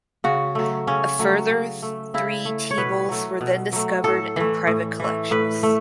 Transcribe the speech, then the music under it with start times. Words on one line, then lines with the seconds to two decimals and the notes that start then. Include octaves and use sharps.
A further three tea bowls were then discovered in private collections.
0.24 C#3 F#4
0.55 F#3 A3
0.87 C#3 C#4
1.19 F#3 A3
1.51 C#3
1.83 A3
2.14 C#3 E4
2.45 A3
2.71 C#5
2.77 B2 B4
3.09 F#3 A3
3.41 B2
3.73 F#3 A3
4.04 A2 A4
4.36 E3 A3
4.67 A2
4.99 E3 A3
5.31 A2 B4
5.63 A3